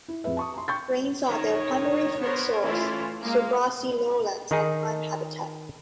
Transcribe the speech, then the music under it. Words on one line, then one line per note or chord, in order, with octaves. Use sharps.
Grains are their primary food source, so grassy lowlands are prime habitat.
E4
F2 G#4 B4 E5
A5 C#6 D#6
A#5 C6
G5 C#6 G6 A6
D#3 C#5
B3 A#4 C5 C#5
E3 A3 C#4 E4 F4
G#3 A#3 F5
D#3 D#4 G#4